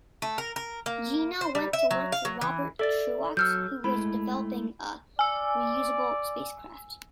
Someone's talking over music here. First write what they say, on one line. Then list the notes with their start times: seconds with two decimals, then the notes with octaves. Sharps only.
Jeana went to work for Robert Truax who was developing a reusable spacecraft.
0.22 A3
0.38 A#4
0.56 A#4
0.86 A#3
1.41 C5
1.55 G3
1.73 E5
1.91 F#3
2.12 F5
2.25 F#3
2.41 E3
2.79 A4 D5 E5 A6
3.37 F#3 A4 E6 F6 G6
3.84 G#3 A3 E4 B5
5.19 D5 G#5 E6